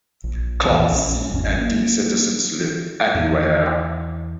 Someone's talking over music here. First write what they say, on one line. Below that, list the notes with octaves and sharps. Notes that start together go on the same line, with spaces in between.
Class C and D citizens live anywhere.
A#1
B1 E2 A#2 E3
A#1 C#4
G#1 E2 D#3 C#4
A#3
E2